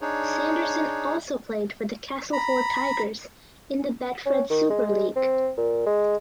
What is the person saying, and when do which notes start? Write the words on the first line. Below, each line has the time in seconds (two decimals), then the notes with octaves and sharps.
Sanderson also played for the Castleford Tigers in the Betfred Super League.
0.01 D4 D#4 G#4 C#5
2.33 A#5 B5
4.26 C#4
4.50 D#3
4.70 G#3
5.16 C4
5.58 A#2
5.86 G#3